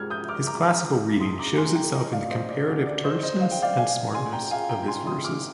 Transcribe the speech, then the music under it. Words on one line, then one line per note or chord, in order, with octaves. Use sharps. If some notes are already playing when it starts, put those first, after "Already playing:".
His classical reading shows itself in the comparative terseness and smartness of his verses.
Already playing: G#2 G3 F6 G#6
D#6 G6
D6 F6
A#5 D6
C6 D#6
A#5 D6
G#5 C6
G5 A#5
D#5 G5
D5 F5
C5 D#5
D5
D2 D3 G3 D5
D5
C5 D#5
C5 D#5
F5
G5
D5 F5
F5 G#5
G#5 C6
G5 A#5
F5 G#5
G5 A#5
G#5 C6
C6 D#6
D6 F6